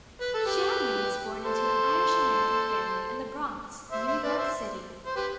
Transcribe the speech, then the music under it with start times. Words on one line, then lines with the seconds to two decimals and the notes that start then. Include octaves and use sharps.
Shanley was born into an Irish-American family in The Bronx, New York City.
0.21 B4
0.34 A4
0.46 G4 B4
1.44 A4 C5
3.92 C5 E5
4.07 C5 E5
4.23 B4 D5
4.38 C5 E5
5.06 C5
5.16 G4 B4